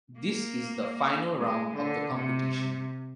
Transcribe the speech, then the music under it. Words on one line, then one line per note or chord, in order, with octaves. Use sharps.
This is the final round of the competition.
A#3
G#3
D3
C3